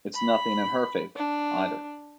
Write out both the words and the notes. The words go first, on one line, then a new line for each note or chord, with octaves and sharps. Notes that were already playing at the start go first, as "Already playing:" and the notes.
It’s nothing in her favour, either.
B5
D4